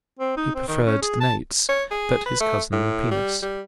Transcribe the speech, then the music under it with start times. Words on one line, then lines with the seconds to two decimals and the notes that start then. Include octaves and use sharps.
He preferred the nates, but his cousin the penis.
0.19 C4
0.37 D#4
0.55 C4
0.68 D#3
0.87 C#4
1.02 G#4
1.21 A5
1.69 C#5
1.91 G#4
2.26 B4
2.40 A3
2.72 A2
3.11 G3
3.42 G3